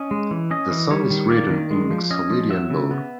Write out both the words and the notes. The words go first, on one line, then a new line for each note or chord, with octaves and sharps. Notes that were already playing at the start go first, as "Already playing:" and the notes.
The song is written in Mixolydian mode.
Already playing: C#4 D#5
G#3
E3
C#4 D#5
E3
G3 C#5
D#3
A#3 D5
D#3
G#3
F3
C#4 D#5
F3
F#3 E5
C#3
B3